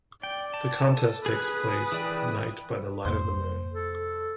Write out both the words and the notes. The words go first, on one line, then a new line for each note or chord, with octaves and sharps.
The contest takes place at night by the light of the moon.
D5 G5
A5
A4
G#4 B4 D#6 F#6
E3 D5 G5
F2 C3 A#3 C5
A4